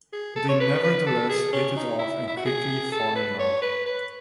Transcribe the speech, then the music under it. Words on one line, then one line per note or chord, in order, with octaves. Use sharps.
They nevertheless hit it off and quickly fall in love.
G#4
A4
C#5
B4
B4
A4
G#4
C#4
D#4
E4
E4
F#4
G#4
A4
B4
C#5
B4
B4